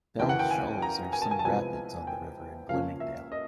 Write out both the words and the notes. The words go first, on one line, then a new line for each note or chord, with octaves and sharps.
Bell Shoals are some rapids on the river in Bloomingdale.
D#2 C#3 E3 G5
F#5
G5
G#5
A#5
G#5
A5
G#5
A5
C2 C3 F3 G#3 B3 G#5
G5
C#2 C#3 F3 A#3 C#4 F5
E5
D#5